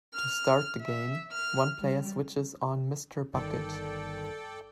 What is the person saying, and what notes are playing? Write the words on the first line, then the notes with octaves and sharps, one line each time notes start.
To start the game, one player switches on Mr. Bucket.
F6
E5
F6
G3
G1 D#3 A4 D5 G5